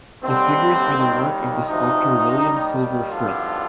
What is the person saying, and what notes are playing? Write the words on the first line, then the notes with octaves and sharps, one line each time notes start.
The figures are the work of the sculptor William Silver Frith.
D#2 D3 G3 C4
D#2 D#3 G3
D2 C3 F3 D#4
D#2 D#3 G3
G#1 G2 D3 F3 F4